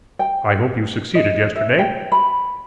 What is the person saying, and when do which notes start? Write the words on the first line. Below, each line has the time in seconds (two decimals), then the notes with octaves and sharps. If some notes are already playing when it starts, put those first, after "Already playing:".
I hope you succeeded yesterday.
0.19 G5
1.15 D#5
1.55 E5
1.79 G5
2.12 B5